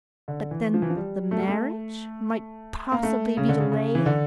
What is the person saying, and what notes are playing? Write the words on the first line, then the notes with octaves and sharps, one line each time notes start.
But then the marriage might possibly be delayed.
D3
E3
F3
E3
F3
G3
A3
G3
A3
A#3
A3
C#3
D3
C#3
C#3
E3
D3